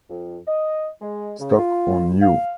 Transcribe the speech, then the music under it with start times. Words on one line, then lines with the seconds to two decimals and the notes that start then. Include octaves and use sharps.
Stuck on You!
0.10 F2
0.47 D#5
1.02 G#3
1.40 C#3
1.59 F4
2.22 F5